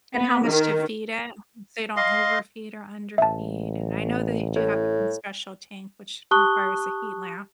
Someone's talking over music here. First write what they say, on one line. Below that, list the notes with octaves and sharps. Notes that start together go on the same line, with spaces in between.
And how much to feed it, so you don't overfeed or underfeed, and I know they do have their own special tank, which requires a heat lamp.
B3
D#3
D#5 F5 C6
A1 E5 A5
A2
G4 A5 C#6 D#6 F#6 G7